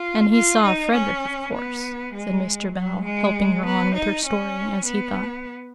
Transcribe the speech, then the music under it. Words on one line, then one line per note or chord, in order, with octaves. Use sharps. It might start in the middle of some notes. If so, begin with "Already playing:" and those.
'And he saw Frederick of course,' said Mr. Bell, helping her on with her story, as he thought.
Already playing: F4
F4
D#4
C#4
B3
G#3
F#3
G#3
B3
D#4
C#4
B3